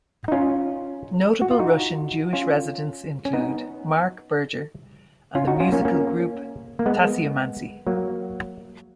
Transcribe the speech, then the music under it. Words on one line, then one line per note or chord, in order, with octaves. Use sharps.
Notable Russian Jewish residents include Mark Berger and the musical group Tasseomancy.
D#4
C#4 F4
F#4
F4
D#4 F#4
C#4 F4
C#4
B3 D#4
C#4 F4
D#4 F#4
C#4 F4
A#3 C#4
A#3 C#4
A#3
G#3 B3
F#3 A#3